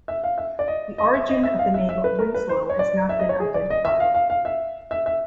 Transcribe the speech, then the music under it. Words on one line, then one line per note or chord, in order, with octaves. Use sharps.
The origin of the name Winslow has not been identified.
E5
F5
E5
D5
D#5
D#5
E5
D#5
E5
F5
E5
E5
B4
A#4
B4
C5
C#5
D5
E5
D#5
C#5
G#4
D5
D#5
E5
F5
F5
F5
E5
E5
E5